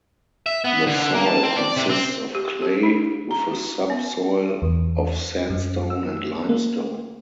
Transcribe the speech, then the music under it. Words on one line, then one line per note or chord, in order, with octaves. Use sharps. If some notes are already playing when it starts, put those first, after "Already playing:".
The soil consists of clay, with a subsoil of sandstone and limestone.
E5
B3
D3
D3
A#3
A5
C4
D5
C3
C4
G4
G4
D4
A#5
F#4
B3
E2
F#2
E6
A#3